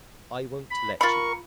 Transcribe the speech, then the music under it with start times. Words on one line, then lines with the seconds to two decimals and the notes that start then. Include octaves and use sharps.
I won't let you.
0.71 B5
1.01 F4 A#4 B5 C#6